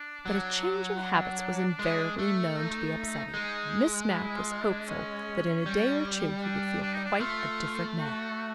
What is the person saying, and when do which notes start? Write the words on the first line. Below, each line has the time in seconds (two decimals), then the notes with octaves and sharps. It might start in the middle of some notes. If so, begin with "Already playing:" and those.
But a change of habits was invariably known to be upsetting, and Miss Mapp was hopeful that in a day or two he would feel quite a different man.
Already playing: D4
0.26 F#3
1.02 D4
1.79 G#3
2.19 A3
2.57 D#4
3.34 G#3
4.11 E4
4.36 F4
4.62 D4
4.88 C#4
5.66 G3
6.43 D4
6.82 D4
6.94 D#4
7.05 D4
7.20 A3 F4
7.98 F#4